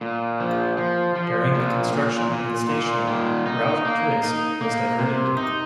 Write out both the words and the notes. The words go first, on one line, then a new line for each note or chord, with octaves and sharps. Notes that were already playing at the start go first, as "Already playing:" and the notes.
During the construction of the station, Route Twisk was diverted.
A#2
F3
F3
F3
A#2
A#2
A#2
A#2
D#3
D#4
A#3
D#4
A#3
C3
D#4